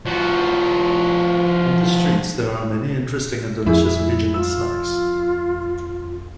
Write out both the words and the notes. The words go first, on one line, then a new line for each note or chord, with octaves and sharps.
On the streets, there are many interesting and delicious regional snacks.
F3 F#4
F2 E4 G#4
F4 E6